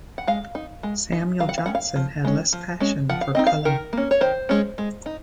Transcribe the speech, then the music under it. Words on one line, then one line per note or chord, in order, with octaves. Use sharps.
Samuel Johnson had less passion for Cullen.
F#5
G#3 F5
D#4
G#3
D#4
F#3 F5
F#5
F5
C#4 F#5
F5
F3
G#3 C#4
F3
G#3 C#4
F3 F#5
F5
C4 D#4 D#5
F5
D#3 A#4
A#3 C#4
C#5
D#3 C5
G#3 C#4
G#3
D#4